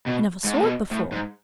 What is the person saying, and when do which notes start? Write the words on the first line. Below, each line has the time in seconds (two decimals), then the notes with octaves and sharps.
I never saw it before.
0.06 B2
0.44 G#2
0.54 A2
0.63 B2
0.91 A2
1.12 G#2